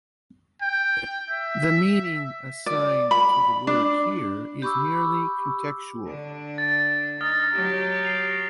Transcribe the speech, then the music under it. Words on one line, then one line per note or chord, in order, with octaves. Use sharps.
The meaning assigned to the word here is merely contextual.
G5
E5
D5
B5
D4
G4 B5 C#6 D6 E6
D3 D4
A6
D#4 D#6 F6 A6
F#3 G4
C7 F7